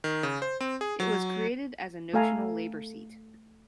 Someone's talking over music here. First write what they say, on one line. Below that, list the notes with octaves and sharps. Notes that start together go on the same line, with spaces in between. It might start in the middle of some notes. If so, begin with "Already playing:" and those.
It was created as a notional Labor seat.
D#3
C#3
C5
C4
G#4
F#3
A3 A4 F5 G#5 A#5